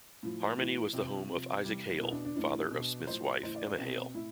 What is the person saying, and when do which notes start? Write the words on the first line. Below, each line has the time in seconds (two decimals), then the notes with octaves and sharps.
Harmony was the home of Isaac Hale, father of Smith's wife, Emma Hale.
0.23 A2 F3
0.58 A2 E3
0.93 C3 F3 C4
1.30 C3 F3
1.64 C3 E3 G3
2.00 B2 E4
2.12 D4
2.25 D4
2.36 A2 E3 D4
2.71 B2
3.07 A2 F3 C5
3.43 A2 E3 C5
3.55 D5
3.67 E4
3.79 B2 C4
4.14 A2 E4